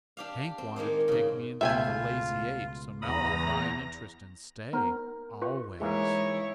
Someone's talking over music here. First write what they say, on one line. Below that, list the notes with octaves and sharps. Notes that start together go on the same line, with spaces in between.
"Hank wanted to take me into the Lazy Eight, so now I'll buy an interest, and stay--always."
D4 G4 F5
C4
D#3 G#3 A#3 C5
G#2 C#3
C#2 B2 A3 F4 E5 G5 G#5
E2 A#5 B5 D#6 A#6
B3 D#4 A#4 C5
F4 B4 C#6
G#2 E3 G#3 A#3 E4 C#5